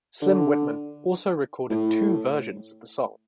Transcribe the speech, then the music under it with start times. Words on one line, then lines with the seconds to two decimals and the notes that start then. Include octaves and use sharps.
Slim Whitman also recorded two versions of the song.
0.22 D3
1.70 A2